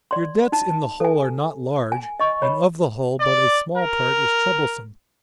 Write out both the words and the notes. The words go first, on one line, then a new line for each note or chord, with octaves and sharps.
Your debts in the whole are not large, and of the whole but a small part is troublesome.
D5 C6
D#4 A5
A4 G#5
G#5
D#5 C#6
C#5 B5
D5
A#4